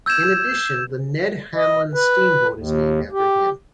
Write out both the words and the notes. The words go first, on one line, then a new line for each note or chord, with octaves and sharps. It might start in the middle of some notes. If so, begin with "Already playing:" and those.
In addition, the Ned Hanlan Steamboat is named after him.
E6 G6 G#6 E7
D#5
B4
D#2
G4